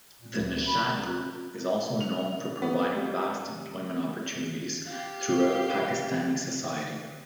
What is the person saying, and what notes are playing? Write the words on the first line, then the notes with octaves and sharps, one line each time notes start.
The Nishat Group is also known for providing vast employment opportunities throughout Pakistani society.
A#2
D2
B5
A#4
F7
B3
G3
G4 F5